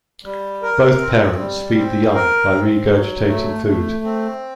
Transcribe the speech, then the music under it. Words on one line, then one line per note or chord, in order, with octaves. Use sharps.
Both parents feed the young by regurgitating food.
G3
A#4
C4
G3
C4
A#4
C4
F#3
A3
A3
C4